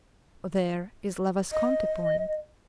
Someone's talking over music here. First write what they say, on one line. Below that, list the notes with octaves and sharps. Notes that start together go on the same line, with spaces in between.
There is Le Vesconte Point.
D#5